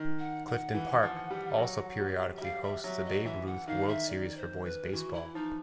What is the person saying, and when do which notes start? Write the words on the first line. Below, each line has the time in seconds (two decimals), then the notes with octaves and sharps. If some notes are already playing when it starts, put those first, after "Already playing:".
Clifton Park also periodically hosts the Babe Ruth World Series for boys baseball.
Already playing: D#3
0.19 F#5
0.47 F#5
0.74 E3
1.03 F3
1.31 G3
1.58 F#3
2.00 G3
2.37 E5
2.42 G3 F5
2.63 E5
2.84 F#3 E5
3.05 D#5
3.25 E3 E5
3.46 F#5
3.67 D#3 F5
3.88 E5
4.09 D5
4.37 C5
4.65 B4
4.93 E3 F#4
5.13 E4
5.35 F3 D#4